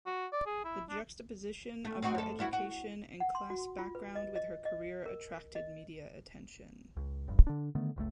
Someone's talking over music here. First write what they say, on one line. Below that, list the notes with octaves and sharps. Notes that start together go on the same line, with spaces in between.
The juxtaposition of her education and class background with her career attracted media attention.
F#4
D5
G#4
E4
D4
A3
C4 D#4 F#4
F#2 A4
G2 E4 F#4
F#4
F#5
C6
F#4
F4
B4
D#5
D#5
D#5
A#4
D#5
C#2
F1 G2
D3 D4
D3 D#3 A3 B3
F#1 C#2 B2 A3